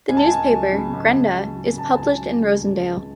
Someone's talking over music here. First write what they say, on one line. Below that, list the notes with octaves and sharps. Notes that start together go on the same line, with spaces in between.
The newspaper "Grenda" is published in Rosendal.
C#2 G#5
A5
G#5
C#2
F#3
C#3
C#2
C#2
F#3
C#3
C#2 A5
G#5
C#2 A5
F#3
C#3
C#2
C#2